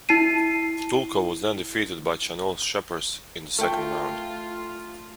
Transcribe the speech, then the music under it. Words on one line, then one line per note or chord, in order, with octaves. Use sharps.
Dulko was then defeated by Chanelle Scheepers in the second round.
E4 A5 C7 D#7
A3 F4 G5